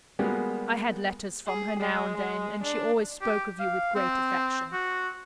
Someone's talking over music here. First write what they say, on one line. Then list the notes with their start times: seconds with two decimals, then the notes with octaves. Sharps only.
I had letters from her now and then, and she always spoke of you with great affection.
0.19 G3 G#3 A#3 B3 F#4 G4
1.47 G#4
1.79 G#3
2.17 G#3
2.63 D4
3.22 G4
3.60 F5
3.96 C4
4.73 F#4